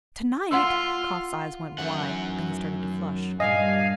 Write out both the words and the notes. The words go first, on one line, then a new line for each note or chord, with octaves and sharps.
"To-night!" Kauf's eyes went wide, then he started to flush.
F4 F#5 C6 E6
F#2 D#3 E3 A3 F#5
G2 A#2 D4 D#5 F5 G#5